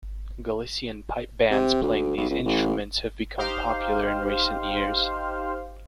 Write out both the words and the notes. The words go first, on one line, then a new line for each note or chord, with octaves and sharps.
Galician pipe bands playing these instruments have become popular in recent years.
C3
D2
B1
C#2
A1
D#4 G4 C5 F5